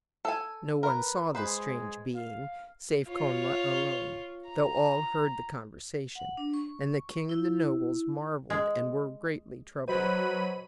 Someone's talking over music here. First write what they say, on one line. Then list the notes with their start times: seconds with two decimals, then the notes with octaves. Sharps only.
No one saw this strange being save Connla alone, though all heard the conversation: and the king and the nobles marvelled, and were greatly troubled.
0.25 A4 G#5
0.83 A#4 B4
1.35 G#3 B4 C5
2.15 F5
3.08 F4 C#5
4.47 A#5
6.15 F#5
6.37 D4
6.54 C#6
7.29 E4
8.50 G#3
9.88 F#3 B4 C5 D#5 B5 D#7